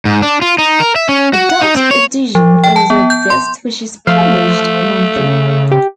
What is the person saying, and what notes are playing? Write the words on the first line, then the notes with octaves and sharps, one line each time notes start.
A Dutch edition also exists which is published monthly.
G#2
D4
F4
D#4
A#4
E5
C#4
F#4
F#5
D#4
C4
C#5
F3
G5
A5
B3
G6
C6
F3 A3 F5
C#3
G4